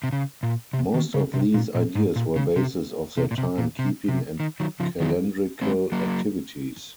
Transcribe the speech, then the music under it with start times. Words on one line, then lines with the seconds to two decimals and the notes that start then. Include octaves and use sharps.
Most of these ideas were basis for their time keeping and calendrical activities.
0.04 C3
0.12 C#3
0.43 A#2
0.73 C3
0.94 D#3
1.14 C#3
1.34 C3
1.54 A#2
1.75 A#2
1.95 G#2
2.16 A#2
2.36 C#3
2.56 C3
3.18 C3
3.31 A#2
3.38 C3
3.58 A#2
3.79 C3
4.09 C3
4.40 D#3
4.60 D#3 F#3
4.80 C#3 F3
5.00 D#3 F#3
5.61 G#3 C4
5.92 F#3 A#3